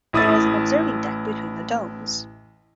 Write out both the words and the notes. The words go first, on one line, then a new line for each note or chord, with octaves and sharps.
There is an observing deck between the domes.
A1 E4 D#6 E6 A6